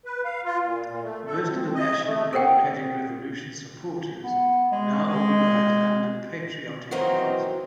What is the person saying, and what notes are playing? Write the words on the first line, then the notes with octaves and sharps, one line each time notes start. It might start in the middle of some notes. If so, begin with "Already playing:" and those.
Most of the National Democratic Revolution supporters are now organized under Patriotic Party.
B4
F5
F4
A#2
A#2
A3
A4
C4
D#5
A3
A4 A#4 C5 F#5 G5
B3
G#3
G#3
D#3 E3 F#3 A#3 C4 D#4